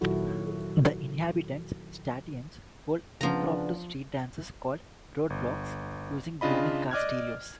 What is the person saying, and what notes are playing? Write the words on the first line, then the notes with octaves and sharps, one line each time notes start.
The inhabitants, "Statians", hold impromptu street dances called "road blocks", using booming car stereos.
A#2 D#3 F#3 E4 F#4 A4
C#3 F3 B3 D4 A#5
G1
C#3 D4 F4 D#5 B5
D5 D#5 D6 F6 F#6 G#6